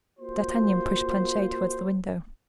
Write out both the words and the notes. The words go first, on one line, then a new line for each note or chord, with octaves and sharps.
D'Artagnan pushed Planchet towards the window.
A#3 F4 F#4 C5